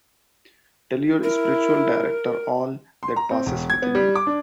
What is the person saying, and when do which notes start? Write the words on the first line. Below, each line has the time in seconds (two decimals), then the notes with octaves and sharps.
Tell your spiritual director all that passes within you.
1.23 E4 A#4
3.03 C6
3.16 A#5
3.31 C4
3.46 E1
3.70 G#6
3.82 B3
3.95 G3
4.15 D6
4.27 D4